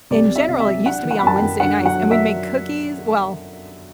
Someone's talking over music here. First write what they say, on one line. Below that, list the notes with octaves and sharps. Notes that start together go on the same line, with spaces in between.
in general, it used to be on Wednesday nights, and we'd make cookies well,
C2 D5
C3
E5
C3
E5
F#3
D4 F#5
E3
F#5
B5
F#2 A5
G5
F#2
D3 F#5
F#3
F#5
F#3
E5